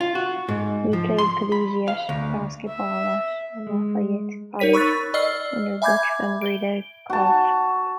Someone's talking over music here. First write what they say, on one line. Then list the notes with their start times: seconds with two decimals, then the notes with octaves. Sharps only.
He played collegiate basketball at Lafayette College under Butch Van Breda Kolff.
0.01 F4
0.15 F#4
0.49 G#2
0.93 F3
1.18 C6
1.52 B5
1.88 F5
2.09 D2
2.68 E5
3.67 G#3
4.59 D#4 A#4 C#5 B6 D#7
4.73 B5 C#6 E6 F#6 A6
5.14 D5 D#5 E6 F6 C7
5.82 E5 G#5 B5 D6 G6 G#6
6.42 D7 G7
7.10 F#4 A5